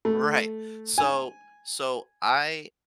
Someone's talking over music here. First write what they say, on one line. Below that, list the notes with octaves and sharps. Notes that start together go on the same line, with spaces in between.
Right. So so I
A3
G#5